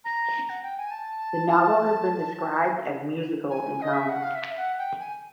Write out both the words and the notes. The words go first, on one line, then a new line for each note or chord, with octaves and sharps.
The novel has been described as musical in tone.
A#5
F#5
G5
G#5
A5
G#5
D#5
E5
F#5
F5
E5
F#5
G5
G#5